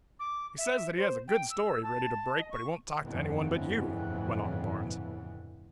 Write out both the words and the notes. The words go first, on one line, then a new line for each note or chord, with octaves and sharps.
"He says that he has a good story ready to break but he won't talk to anyone but you," went on Barnes.
D6
E5
C5
G5
E6
A5
D#5
C#6
G1 F2 A2 C#3 E3 B3